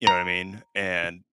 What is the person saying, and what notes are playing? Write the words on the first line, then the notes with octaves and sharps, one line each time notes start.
you know what I mean, and
A#5